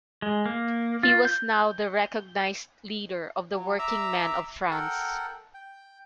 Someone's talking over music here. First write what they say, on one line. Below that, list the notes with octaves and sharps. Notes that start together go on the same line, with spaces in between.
He was now the recognized leader of the working-men of France.
G#3
A#3
F4
G6
F#3
E5 A#5 D6 E6
A4 A#4 F#5 G5
G5